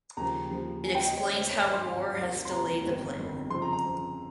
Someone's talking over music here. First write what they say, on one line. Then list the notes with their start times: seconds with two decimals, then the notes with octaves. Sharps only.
It explains how war has delayed the plan.
0.17 D#2 C#3 F3 A#5
0.51 D#2 C#3 F3
0.84 D#2 C#3 G3 G#5
0.95 G5
1.06 D#5
1.17 D#2 C#3 G3 C#5
1.34 C5
1.51 G#1 G2 D#3 C#5
1.61 D#5
1.73 C6
1.83 G#1 G2 D#3 G#5
2.17 F1 D#2 D#3 G3
2.45 C6
2.51 F1 D#2 D#3 G3 A#5
2.84 G1 F2 D#3
3.17 G1 F2 D#3
3.50 F2 C#3 F3 C6
3.62 A#5
3.73 A#5
3.84 F2 C#3 F3